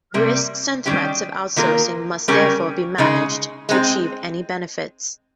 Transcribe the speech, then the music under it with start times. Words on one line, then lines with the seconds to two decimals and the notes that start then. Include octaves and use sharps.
Risks and threats of outsourcing must therefore be managed, to achieve any benefits.
0.14 C3 G3 A#3
0.86 D#3 G3 C#4 G4
1.56 D#3 A#3 F4 A#4
2.28 C#3 G3 C#4 G4 A#4
2.98 C#3 G#3 D#4
3.69 G#3 C4 D#4